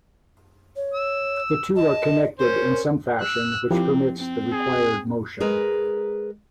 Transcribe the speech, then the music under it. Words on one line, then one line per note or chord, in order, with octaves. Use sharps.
The two are connected in some fashion which permits the required motion.
C#5
E6
D#5 A5
C#4 A#4 C5
E6 F#6
F3 C4 E4 G4
C4
G#4
G#3 G#4 A#4 B4 A#5